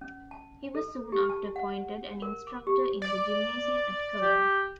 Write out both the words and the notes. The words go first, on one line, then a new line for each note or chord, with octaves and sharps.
He was soon after appointed an instructor in the gymnasium at Cologne.
C#4
A5
A4
G4
A5
F#5
A#4
D6
G4
D5
G4